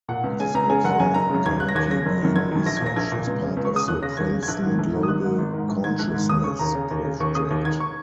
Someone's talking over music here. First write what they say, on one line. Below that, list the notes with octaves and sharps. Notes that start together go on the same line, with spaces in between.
It is also currently being researched as part of the Princeton Global Consciousness Project.
A#2 F#5
C#2
C#3 G#5
C#2 A#5
C#3 G#5
F#1 F#5
A#5
F#2 C#3 G#5
F#1 A#5
F#2 C#3
D#2 G#6
C#3 F#6
A#6
D#2 G#6
C#3 A#6
F#1
F#2 D#3
F#1 G#6
F#2 D#3
A#1 A#6
A#2 G#6
A#6
A#1 G#6
A#2
C#2
C#3
C#2
C#6
C#3 D#6
D#2 F#6
C#3 A#6
D#2 G#6
C#3
G#6
A#1 F#6
G#2 D#3
A#1
G#2 D#3
D#6
G#1 F#6
G#2 D#3
G#1
G#2 D#3
A#1
G#2 D#3 G#6
A#1 F#6
G#2 D#3
D#2 D#6
C#3 C#6
D#2 A#5
C#3
D#2
C#3
D#2 C#6
C#3 D#6
D#2
D#3 G#6
C#6